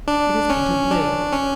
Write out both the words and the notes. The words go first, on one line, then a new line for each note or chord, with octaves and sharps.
It is painted blue.
D4
C#4
D4
C#4